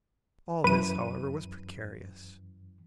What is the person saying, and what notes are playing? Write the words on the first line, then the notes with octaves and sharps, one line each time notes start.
All this, however, was precarious.
F#2 E3 B4 D#7